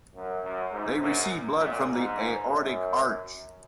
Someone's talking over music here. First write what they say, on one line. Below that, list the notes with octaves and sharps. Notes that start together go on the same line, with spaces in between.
They receive blood from the aortic arch.
F#2
F#2
G#2
F#2 A#2
F#2 A#2
G#2
F#2